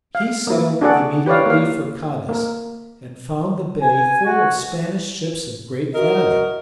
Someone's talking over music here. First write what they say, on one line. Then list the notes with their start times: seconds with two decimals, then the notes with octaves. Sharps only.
He sailed immediately for Cadiz, and found the bay full of Spanish ships of great value.
0.15 F5
0.47 A#3 E4
0.81 D4 F#4 G#4 A4 D5 F#5
1.26 G4 B4 C#5 D5 F5
1.46 A#3 F5
2.29 A#3 A#4
3.82 G#5
4.25 F#4
5.94 F#4 A#4 D#5 E5